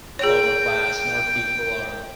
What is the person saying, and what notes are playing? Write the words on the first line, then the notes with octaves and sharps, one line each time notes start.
lower class, more people are
G#4 C#5 G5